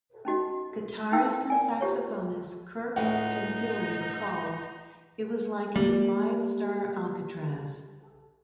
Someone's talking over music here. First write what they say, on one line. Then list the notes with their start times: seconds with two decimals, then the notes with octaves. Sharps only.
Guitarist and saxophonist Kirk Pengilly recalls, "It was like a five-star Alcatraz".
0.25 C#4 D#4 F#4 D#5
1.12 D#4 E4 G5 E6
1.33 G5
1.50 A#4 D5 G#5
1.81 F4 G4 C5 C#5
2.96 C#2 A2 G#3 D#4 F#5
5.76 G3 G#3 A#3